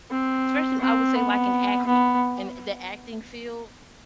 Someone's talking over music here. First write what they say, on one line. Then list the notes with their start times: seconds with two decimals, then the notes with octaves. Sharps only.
especially I would say, like, in acting, and the acting field
0.11 C4
0.80 C4
1.15 B3
1.85 B3